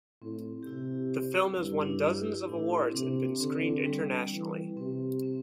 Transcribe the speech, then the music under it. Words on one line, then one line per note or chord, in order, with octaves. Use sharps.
The film has won dozens of awards and been screened internationally.
A2 C4
G4
C3 E4
G2 E4
D4
E4
G4
E4
A2 D4
C4
C3 D4
D3 C4
G3
E3
C3 C4
C4